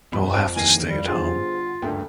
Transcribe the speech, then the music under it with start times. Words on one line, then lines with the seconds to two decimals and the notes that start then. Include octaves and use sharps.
I’ll have to stay at home.
0.12 E2 B2 F3 B5
0.34 F2 C5 A5 D7
0.56 D#2 E3 G#5 A#6 C7
0.87 G3
1.08 D3 G3 B3 F4 G#4 C5
1.82 F#1 D2 G2 A#3 A4 G5